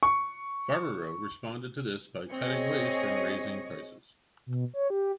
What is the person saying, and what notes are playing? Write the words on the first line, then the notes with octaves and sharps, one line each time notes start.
Farberow responded to this by cutting waste and raising prices.
C#6
C4 G#4 C#5 D#5
B2
C#5
G4